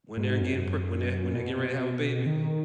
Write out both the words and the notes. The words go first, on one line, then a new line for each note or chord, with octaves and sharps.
when they're getting pre when they're when they're getting ready to have a baby.
G#2
F#2
B2
D#3